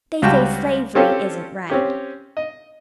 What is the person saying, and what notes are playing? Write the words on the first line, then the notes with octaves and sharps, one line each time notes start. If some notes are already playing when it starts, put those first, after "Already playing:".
"They say slavery isn't right."
C#2 G3 F#4 G5 A5
C4 C#4 F4 G4 A4
C4 C#4 G4
D#5